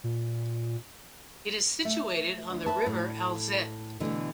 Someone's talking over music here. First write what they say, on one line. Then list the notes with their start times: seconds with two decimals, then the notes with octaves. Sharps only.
It is situated on the river Alzette.
0.04 A#2
1.85 A3
2.50 D2
2.66 B4 E5 A5
2.86 A2
4.00 B2 D3 E3 A3